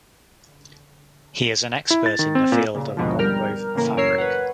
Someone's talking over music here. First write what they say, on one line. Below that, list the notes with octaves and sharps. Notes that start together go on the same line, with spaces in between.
He is an expert in the field of nonwoven fabric.
E4
A6
D#3
C4
A#2
A#2 C#3
D#2 G#2 B2 D3 F3
G3 A#4 G5 F6
A2 C#3 E3 A#3 A#4
F#2 A#4 C#5 E6 C7
B4 C#5 F#5